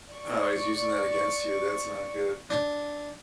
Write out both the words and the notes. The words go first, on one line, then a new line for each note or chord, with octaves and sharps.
Oh, he's using that against you. That's not good.
D5 C#6
D4